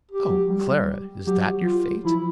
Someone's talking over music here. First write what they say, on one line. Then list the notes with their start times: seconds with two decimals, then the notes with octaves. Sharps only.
"Oh, Clara, is that your fate!"
0.11 G4
0.30 F#3
0.50 G3
1.27 F#3 G4
1.66 F4
2.05 F3 E4